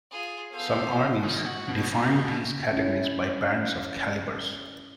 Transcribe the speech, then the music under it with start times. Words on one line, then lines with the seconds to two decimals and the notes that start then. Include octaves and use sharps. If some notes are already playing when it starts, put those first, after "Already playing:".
Some armies defined these categories by bands of calibers.
0.11 F4 G#4
0.52 B3 A4 C5 F5
1.24 D#3
1.46 F#4
1.69 B2
1.92 B2
2.24 B2
2.73 C#4 E4